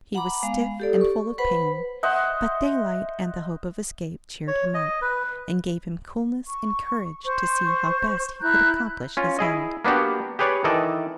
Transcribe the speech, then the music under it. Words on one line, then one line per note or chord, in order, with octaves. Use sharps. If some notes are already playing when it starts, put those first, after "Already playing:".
He was stiff, and full of pain, but daylight and the hope of escape cheered him up, and gave him coolness and courage to see how best he could accomplish his end.
F#5 A#5 B5 D6
G#3 B3 F5
G4 A4 D5
C#6
B4 C5 F#5 B5
C5 D#5 E5 F#5
C#5
D#5
B4
C#6
C5 C#6
E4 A#5 F#6 G6
C#4 F4
E4 G#4 D#5
A#3 B3 D4 F#4 G4
G4 G#4 B4 C#5 D5
D#3 E3 A4 D5 D#5